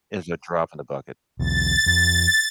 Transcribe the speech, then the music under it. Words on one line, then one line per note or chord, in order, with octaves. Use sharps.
It's a drop in the bucket.
B1 E2 A6
F2